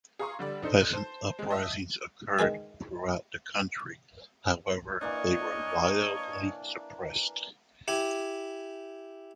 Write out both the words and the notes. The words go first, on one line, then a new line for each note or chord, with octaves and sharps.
Peasant uprisings occurred throughout the country; however, they were violently suppressed.
G#4 F5 A#5 C6 C#6 D#6
D3 G3 D5
D4 D#4 A4 C5
C5 A5
G#3
D#5 E5 A5
D#3 G#3 B4 G#5
E3 A#3 D4 C#5 D#5
E4 G4 G#5